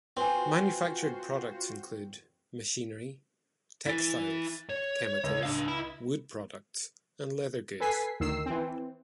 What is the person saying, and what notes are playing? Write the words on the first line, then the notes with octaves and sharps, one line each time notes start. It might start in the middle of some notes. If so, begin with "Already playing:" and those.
Manufactured products include: machinery, textiles, chemicals, wood products, and leather goods.
C4 F4 F#4 B4 C5 G#5
E4 B4 A6 B6
C#5
C#2
D4 F5
E4 B5
A4 B4 G#5 B6 C7
D2 D#3 E6 C7
E3 C4